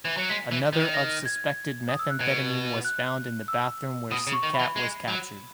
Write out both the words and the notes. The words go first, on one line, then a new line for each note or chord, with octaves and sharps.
Another of suspected methamphetamine was found in the bathroom where Seacat was captured.
E3
F#3 C#7
G#3 B6
E3
D#3
A#6
G#6
D#6
E6
F#6
B2 G#6
F#6
E6
B2 D#6
C#3
C#6
D#3
B5
E3
G#3
F#3